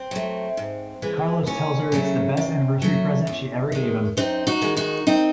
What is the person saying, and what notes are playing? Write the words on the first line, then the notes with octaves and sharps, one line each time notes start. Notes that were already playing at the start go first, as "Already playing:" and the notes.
Carlos tells her it's the best anniversary present she ever gave him.
Already playing: C4
F#3 A3
G#2
E3 G#3
D#2 C#4
C#3 F#3 A3
C3
F#3 A3
E2
D#3 G#3
F#2 C4 D#4
D#4 F#4
D#3 G#3
D#4 F#4
C4 D#4